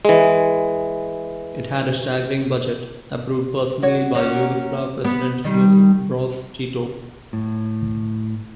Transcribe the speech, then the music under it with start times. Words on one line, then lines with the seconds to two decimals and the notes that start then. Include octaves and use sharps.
It had a staggering budget approved personally by Yugoslav president Josip Broz Tito.
0.05 E3 G#3
3.83 F#4 C#5
4.15 A#3 C#4 F#4
5.04 B3
5.44 D#3 G3
7.33 A2